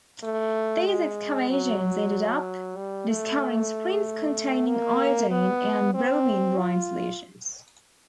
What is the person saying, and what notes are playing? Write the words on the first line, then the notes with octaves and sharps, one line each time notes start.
These excavations ended up discovering springs containing iodine and bromine brine solutions.
A3
G#3
F#3
G3
A3
A#3
B3
C4
F4